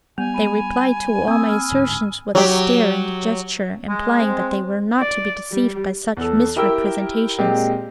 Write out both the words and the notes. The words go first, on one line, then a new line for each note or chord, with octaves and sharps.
They replied to all my assertions with a stare and a gesture implying that they were not to be deceived by such misrepresentations.
G3 B3 G#5 F7
B5 D#7
A#3 C4 D#6 E6
B5 F6
D1 G#2 D3
F#3 G4
G#3
C4
D5
G3
E2 A4
E4 G4 A#4 G5 E6
A#2 G#3 C4 G4